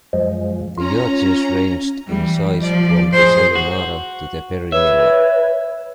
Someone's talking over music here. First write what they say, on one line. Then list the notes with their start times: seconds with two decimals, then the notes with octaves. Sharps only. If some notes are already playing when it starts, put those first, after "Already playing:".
The yachts ranged in size from the "Sayonara" to the "Berrimilla".
0.13 F#2 F3 G#3
0.78 C#4 F4 A#5
2.08 E3 G3
2.59 F3 D5
3.13 G#4 C5
3.55 F#4
4.72 B4 C#5 E5